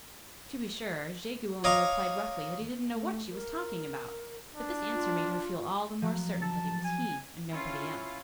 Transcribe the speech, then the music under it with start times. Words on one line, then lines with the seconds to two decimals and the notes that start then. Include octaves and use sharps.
To be sure, Jegu only replied roughly that he didn't know what she was talking about, but this answer made her feel all the more certain that it was he and nobody else.
1.64 C#5 D#5 F5 A#5 D6
2.93 A3
3.31 A#4
4.55 D4
4.92 F4
6.02 F3 F#3
6.42 A5
6.84 G#5
7.52 C#4 E4 F4